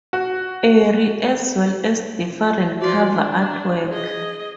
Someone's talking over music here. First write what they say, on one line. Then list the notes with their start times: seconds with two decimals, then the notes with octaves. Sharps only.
Arie, as well as different cover artwork.
0.13 F#4
2.82 F3 F#4 D5
3.13 D4
3.89 G#4 D#5